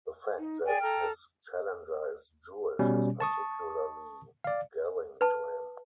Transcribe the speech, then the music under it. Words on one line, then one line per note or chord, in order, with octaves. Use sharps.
The fact that his challenger is Jewish is particularly galling to him.
D#4
G#4 D5 G5 G#5
A4 A#5 F6
B2 G3 C#4
A5 C#6 D#6
D5 F5
B4 A5